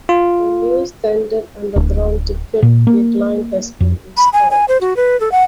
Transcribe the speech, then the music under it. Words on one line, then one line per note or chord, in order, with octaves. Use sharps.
A new standard Underground ticket gateline has been installed.
F4
D1
A#2
A#3
F2
B5
G#5
G#5
C5
F#4
B4
A4
F#5